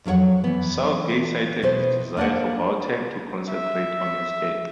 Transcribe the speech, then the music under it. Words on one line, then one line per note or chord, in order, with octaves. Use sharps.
Southgate cited his desire for Boateng to "concentrate on his game".
F2 F#3 E4 C#5 F#5
E3 B3
B2 E4 B4 C5
A#3 D4 A#4 F#5
E5